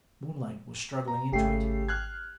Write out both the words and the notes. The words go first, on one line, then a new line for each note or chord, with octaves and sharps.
Moonlight was struggling into it.
A#5
G#1 C#3 A3 G4 C7
F6 F#6 G#6